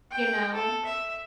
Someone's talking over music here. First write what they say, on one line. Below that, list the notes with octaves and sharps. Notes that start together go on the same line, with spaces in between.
you know,
G5
A4
E5